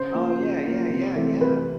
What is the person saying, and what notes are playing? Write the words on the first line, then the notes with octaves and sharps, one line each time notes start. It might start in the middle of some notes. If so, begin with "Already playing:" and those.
Oh, yeah, yeah, yeah, yeah.
Already playing: C#3 C5
F3 A#3
C#3
F3 A#3
C3
E3 A3 C4
C3 B4